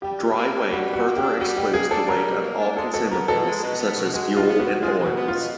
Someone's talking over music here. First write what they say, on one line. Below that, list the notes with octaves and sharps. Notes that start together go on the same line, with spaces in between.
Dry weight further excludes the weight of all consumables, such as fuel and oils.
G3 G4
B2
A#3
D4
G3 F#4
B2
F#4
A#3
G4
D4
G3 F#4
B2 G4
A#3 G#4
D4 A4
G3 A#4
B2
A#3
D4
G#3 A4
B2 A4
B3 A#4
B2 A4
G#3
B2
B3
B2
G#3 F#4
B2
F4
B3
F#4
B2
G#3 F4
B2
F#4
B3
F4
B2